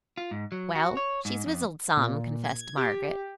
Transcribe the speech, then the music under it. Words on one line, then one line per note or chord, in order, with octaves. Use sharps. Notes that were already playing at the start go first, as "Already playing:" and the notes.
"Well, she's wizzled some," confessed Margaret.
F4
G#2
F#3
F#4
C#5
G#2
F2
A#2
G#6
G4